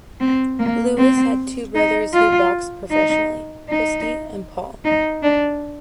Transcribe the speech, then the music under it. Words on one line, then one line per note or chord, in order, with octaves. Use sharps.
Lewis had two brothers who boxed professionally; Christy and Paul.
C4
A#3
C4
D#4
F4
D#4
D#4
D#4
D4